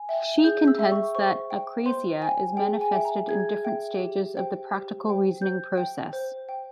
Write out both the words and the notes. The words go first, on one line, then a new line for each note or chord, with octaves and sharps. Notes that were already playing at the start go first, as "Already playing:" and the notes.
She contends that akrasia is manifested in different stages of the practical reasoning process.
Already playing: G#5
E5 G5
G#4 G6
E6
E5 G5
C#6
C5 C#6
G5
C5 C6
G5 G#5
G#4 G5
G#5
E5 G5
A#5
G#4 G#6
E5 G5
G4
C5 G5
G4
C5 G5
C5 G6
G5
C5
G5